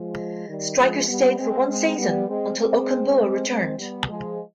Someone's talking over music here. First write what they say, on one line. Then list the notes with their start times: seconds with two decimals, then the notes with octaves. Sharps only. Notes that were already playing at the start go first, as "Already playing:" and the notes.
Stryker stayed for one season until Okungbowa returned.
Already playing: F3 G#3
0.48 D#3 G3
0.78 F3 G#3
1.08 G3 B3
1.38 G#3 C4
1.68 G#3 C4
1.98 G3 B3
2.28 G#3 C4
2.58 G#3 C4
3.48 G#3 C4
3.78 G3 B3
4.09 F3 G#3